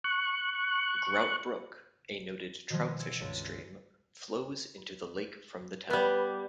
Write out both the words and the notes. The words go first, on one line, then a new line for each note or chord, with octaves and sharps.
Grout Brook, a noted trout-fishing stream, flows into the lake from the town.
C#6 F#6
B2 D#3 F3 G#3
E6 G#6 A6 C#7
C#2 G2
G3 B3 B4